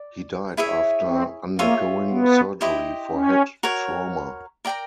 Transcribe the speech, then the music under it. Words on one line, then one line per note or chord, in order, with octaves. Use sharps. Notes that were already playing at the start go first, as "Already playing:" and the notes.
He died after undergoing surgery for head trauma.
Already playing: D5
E4 G#4 C#5 E5
C4
A#3 F4 G#4 C#5 E5
B3
E4 G4 C5 D#5
C#4
F#4 A#4 C#5
A#4 D5 G5 A#5